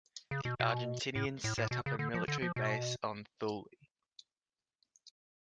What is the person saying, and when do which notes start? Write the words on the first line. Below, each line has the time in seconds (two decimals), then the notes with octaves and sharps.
The Argentinians set up a military base on Thule.
0.31 C#3
0.45 B2
0.60 B2
1.15 A2
1.44 A2
1.58 A2
1.71 B2
1.86 C#3
1.99 D3
2.14 F3
2.28 D3
2.42 F3
2.56 B2